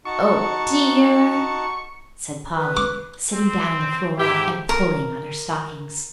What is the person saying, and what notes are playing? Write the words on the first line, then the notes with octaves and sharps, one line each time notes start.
"Oh dear!" said Polly, sitting down on the floor, and pulling on her stockings.
D#4 F#4 A5 C#6
B4
D6
C4
G#2 E4 G4
A#4